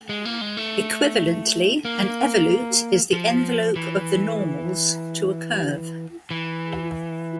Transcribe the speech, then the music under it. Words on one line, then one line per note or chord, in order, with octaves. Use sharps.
Equivalently, an evolute is the envelope of the normals to a curve.
G#3
A#3
G#3
A3
A#3
F3
E3
E3